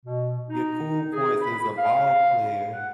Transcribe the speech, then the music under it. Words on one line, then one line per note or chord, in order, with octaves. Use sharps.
your cool points as a ball player
B2
D#4
G#4
B5
F5
F#5